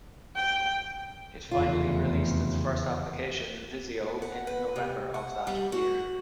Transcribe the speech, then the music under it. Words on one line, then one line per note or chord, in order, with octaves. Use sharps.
It finally released its first application, Visio, in November of that year.
G5
F1 E2 C#3 F4
F#5
B4
C3
F#5
G3
F#4